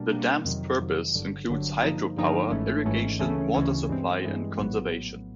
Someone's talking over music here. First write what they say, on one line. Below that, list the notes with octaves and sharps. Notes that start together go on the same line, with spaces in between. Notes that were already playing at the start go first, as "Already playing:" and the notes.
The dam's purpose includes hydro-power, irrigation, water supply, and conservation.
Already playing: B2 G3 A#3 D4
B2 G3 A#3 D4
F2 C3 D#3 F#3
F2 C3 D#3 F#3
G1 G2 D3 F#3
G1 G2 D3 F#3
G2 D3 F3 A#3 D#4
G2 D3 F3 A#3 D#4
G#1 G#2 E3 A3 C#4
G#1 G#2 E3 A3 C#4
D2 C#3 E3 A3 C#4
D2 C#3 E3 A3 C#4
G2 E3 G#3 C4
G2 E3 G#3 C4
A#1 A2 F#3 B3